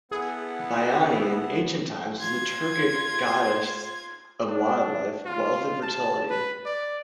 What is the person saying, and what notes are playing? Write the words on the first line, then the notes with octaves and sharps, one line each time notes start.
Baianai in ancient times was the Turkic goddess of wild life, wealth and fertility.
B3 E4 G#4 A4 F#5
F4 G#6
D4
F4
A5
B4
D5